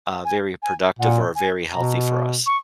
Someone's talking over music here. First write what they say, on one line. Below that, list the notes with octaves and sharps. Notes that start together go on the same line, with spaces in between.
uh, very productive, or very healthy for us.
G#5
G#5
A#2 F#5
G#5
B2 A#5
C#6